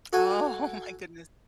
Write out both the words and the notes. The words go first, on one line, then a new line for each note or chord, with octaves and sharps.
Oh, my goodness.
F#4 A4 G#5